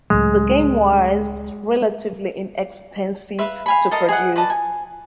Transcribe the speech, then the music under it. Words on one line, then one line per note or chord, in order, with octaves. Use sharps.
The game was "relatively inexpensive" to produce.
C#2 A2 F#3 G#3
B4 E5 F5 B5
F5 G#5 B5
A4 A#4 D#5 F5
G#4 D#5 F#5
B4 D5 D#5 A5
G#5